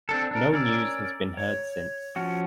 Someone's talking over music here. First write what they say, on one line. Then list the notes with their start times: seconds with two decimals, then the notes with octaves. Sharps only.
No news has been heard since.
0.09 C4 D4 A4
0.31 D4 A#4
0.53 C#4 A#4 D5 E6
1.37 C#5
2.16 F3 C#4 F#4